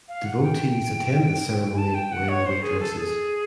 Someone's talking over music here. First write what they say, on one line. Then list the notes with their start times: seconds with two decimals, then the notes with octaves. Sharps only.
Devotees attend this ceremony wearing white dresses.
0.08 F5
0.25 F#5
0.43 G5
1.73 G#5
1.78 A5
1.94 G5
2.12 F#5
2.29 C#5
2.46 C5
2.62 G#4
2.80 A4
2.97 G#4